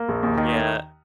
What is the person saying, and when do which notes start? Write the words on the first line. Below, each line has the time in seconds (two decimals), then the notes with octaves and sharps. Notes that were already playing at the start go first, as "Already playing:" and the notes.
Mm yeah.
Already playing: A#3
0.08 A#1
0.23 D#2
0.37 D#3